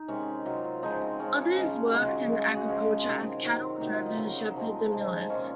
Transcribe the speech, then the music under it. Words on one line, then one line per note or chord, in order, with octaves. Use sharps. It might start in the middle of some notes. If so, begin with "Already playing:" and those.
Others worked in agriculture, as cattle drovers, shepherds and millers.
Already playing: D#4
C3 D#3 G#3 C#4
C3 F#3 F4
F4
C#3 F3 G#3 D#4
C4
C#3 F3 G#3 C#4
C#3 G#3
F#4
C#3 G#3 F4
F#4
G#4
C#3 G#3
G#4
F#4
C#3 F3 G#3 F4
C3 D#3 F#3
C3 D#3 F#3
C3 D#3 F#3 D#4
F4
D#4
C#3 F#3
C3 F3 G#3
C3 F3 G#3
A#2 F3 G#3 C#4